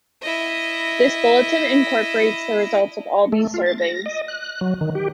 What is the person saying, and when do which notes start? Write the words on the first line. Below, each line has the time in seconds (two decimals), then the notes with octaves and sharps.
This bulletin incorporates the results of all these surveys.
0.22 E4 D#5
3.32 A3
3.54 F4
3.66 A6
3.78 A#6
4.06 D#5
4.28 F#6
4.61 F#3
4.81 D#3
4.95 G4